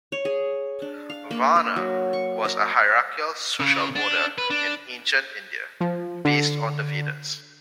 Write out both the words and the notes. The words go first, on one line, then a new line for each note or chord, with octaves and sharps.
Varna was a hierarchical social order in ancient India, based on the Vedas.
C#5
G#4
D4
F5
A#3
A#4
F#3
C#6
A#4
C#3
D4
B4
D4
F3
D3